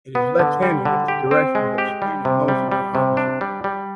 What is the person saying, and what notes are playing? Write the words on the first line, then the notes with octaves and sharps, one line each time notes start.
It is left-handed if the directions of spin and motion are opposite.
B3
D3
G3
D3
G4
C4
G#3
G4
G3
C3
G3
G3
C3
D4
G3
G3